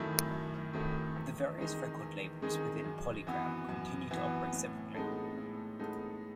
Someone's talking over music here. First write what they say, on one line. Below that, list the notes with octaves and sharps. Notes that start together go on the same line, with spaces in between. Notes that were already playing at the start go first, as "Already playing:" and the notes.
The various record labels within PolyGram continued to operate separately.
Already playing: F#2 D#3 F#3 A3 E4
F#2
D#3 F#3 A3 E4
E2
D#3 G#3 D#4 G#4
E2
D#3 G#3 D#4 G#4
F#2
E3 B3 F#4
F#2
E3 B3 F#4
A2
G#3 B3 D#4 A4
A2
G#3 B3 D#4 A4